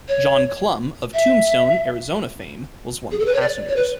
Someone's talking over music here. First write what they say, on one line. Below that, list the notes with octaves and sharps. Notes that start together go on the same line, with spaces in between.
John Clum, of Tombstone, Arizona fame was one of the passengers.
C#5
E5
G#4
A4
B4
C#5
D5
C#5
B4